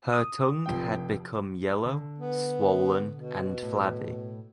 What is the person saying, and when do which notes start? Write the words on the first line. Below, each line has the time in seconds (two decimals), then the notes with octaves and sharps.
Her tongue had become yellow, swollen, and flabby.
0.13 D#6
0.66 F1 F3 G5
1.85 D3
2.18 B3
3.14 B2
3.63 A2